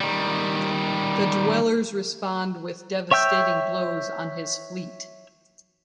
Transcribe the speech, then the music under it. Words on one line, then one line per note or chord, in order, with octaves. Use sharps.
The Dwellers respond with devastating blows on his fleet.
D#3 G3
C#5 E5 G5 E6 G6